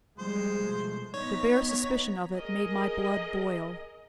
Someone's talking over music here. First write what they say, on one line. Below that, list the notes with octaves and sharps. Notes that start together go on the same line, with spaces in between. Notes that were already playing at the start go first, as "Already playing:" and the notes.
The bare suspicion of it made my blood boil.
F3 G3 G#3 C4 C5 C6
B2 F3 A3
B3 D#4 C#5 A#5 B6
G#4 A#4 D#5